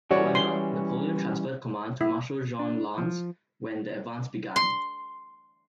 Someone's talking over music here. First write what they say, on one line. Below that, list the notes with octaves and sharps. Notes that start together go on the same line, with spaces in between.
However, Napoleon transferred command to Marshal Jean Lannes when the advance began.
E3 G3 C#4 F#4 C#5 D5
C6
E4
D4
F3
C6